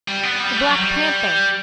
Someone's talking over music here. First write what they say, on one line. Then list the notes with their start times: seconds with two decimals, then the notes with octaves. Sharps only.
The black panther!
0.08 G3
0.24 B3
0.40 G3
0.56 A3
0.68 F#3
0.78 G3